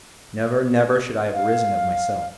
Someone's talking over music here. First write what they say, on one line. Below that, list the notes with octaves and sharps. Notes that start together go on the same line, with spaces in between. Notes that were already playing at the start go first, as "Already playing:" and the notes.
Never, never should I have risen of myself!
F5